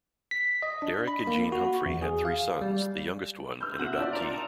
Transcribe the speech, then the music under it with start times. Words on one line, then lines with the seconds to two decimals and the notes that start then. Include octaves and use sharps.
Derek and Jean Humphry had three sons, the youngest one an adoptee.
0.31 B6
0.62 D#5
0.82 D4
1.07 B5
1.27 A#3
1.52 F#4
1.86 E2
2.02 G#4
2.25 F5
2.61 G3
3.61 E6 F6 G6
3.80 B2 F#4 E5
3.99 D4 F4 D5
4.13 A#4
4.34 D#4 A5 A#5